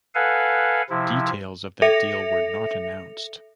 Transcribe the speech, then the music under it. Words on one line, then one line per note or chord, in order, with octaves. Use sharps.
Details of that deal were not announced.
A4 B4 F5 F#5 G#5
C3 F3 E4
A4 E5 A#6 C#7 F7